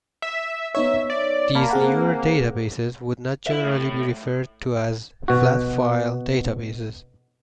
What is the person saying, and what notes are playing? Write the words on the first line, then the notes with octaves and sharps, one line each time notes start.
These newer databases would not generally be referred to as flat-file databases.
E5
B3 D#4 C#5 E5
D5
A#3 A5 B5
C4 G#4 F#5
E4 E5
A2
B2 F#4